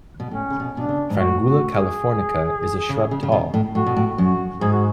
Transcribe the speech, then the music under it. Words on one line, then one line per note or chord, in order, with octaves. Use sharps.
"Frangula californica" is a shrub tall.
B2
A2 C#4
C#3
B2
B2 D4
C#3
G#2
A2 F#4
F#4
G#4
C#3
C#3
C#3
B2
A2
A2 F#4
B2
A2
F#2 F#4
G#2 G#4
F#4